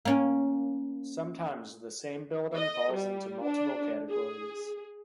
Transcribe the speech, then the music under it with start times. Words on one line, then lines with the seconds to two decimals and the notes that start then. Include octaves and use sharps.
Sometimes the same building falls into multiple categories.
0.05 A#3 C#4
2.56 D#5
2.93 G3
3.45 D4
4.10 G#4